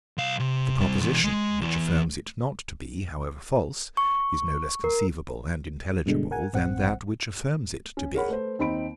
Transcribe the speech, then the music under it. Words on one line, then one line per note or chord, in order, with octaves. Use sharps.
The proposition, which affirms it not to be, however false, is no less conceivable and intelligible, than that which affirms it to be.
C2 F5
C3
C3 G3
B2 E3
G#3
E2 E3
C#6
A#4
G2 B2 D3 G#3
A#4 F#5 G#5
A1 C4 F#5
C#4
G#4 A#4 C#5 F#5 B5
A3 B4 C5
D#2 C4 D#4 B5 D7